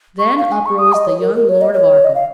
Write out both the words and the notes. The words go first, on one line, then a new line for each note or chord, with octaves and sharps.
Then uprose the young Lord of Arkell.
C#6
F5
G#5
C#6
D#6
D#5
C#5
A#4
A#4
C#5
D#5
C#5
D#5
F5